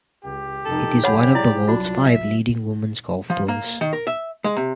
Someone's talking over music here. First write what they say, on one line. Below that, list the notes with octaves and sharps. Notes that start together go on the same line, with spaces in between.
It is one of the world's five leading women's golf tours.
C#2 G4
F1 D#4 A4
B1 F#2 G#4 C#5 F#5 B5
G#3 E4 D5
C2 F#3 D4 F4 F#4
E5
F3
A#3
D#3
A#4
E5
G#3
C3